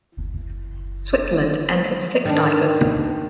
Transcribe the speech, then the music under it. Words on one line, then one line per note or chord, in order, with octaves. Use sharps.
Switzerland entered six divers.
F#1
D#3 D4